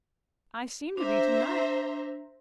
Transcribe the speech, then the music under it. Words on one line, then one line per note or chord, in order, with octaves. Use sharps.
'I seem to be to-night.
D4 C5 E5 A#5